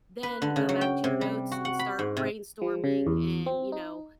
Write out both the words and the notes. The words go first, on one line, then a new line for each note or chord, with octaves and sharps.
then go back to your notes and start brainstorming and, you know
B4
D3
C#3
F#3
G5
C3
G3
F#4
F#5
B5
G#2
C3
F3
C#3
E2
C4
D#4